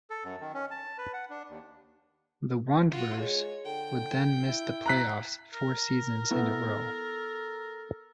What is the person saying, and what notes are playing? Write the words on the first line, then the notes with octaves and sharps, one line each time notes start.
The Wanderers would then miss the playoffs four seasons in a row.
A4
F#2
D#3
C#4
A5
B4
F#5
D4
D#2
F4 F#4
G#3 C#5
D3 G5
E4
A#5 F#6 B6
A#4
B3 E4 A4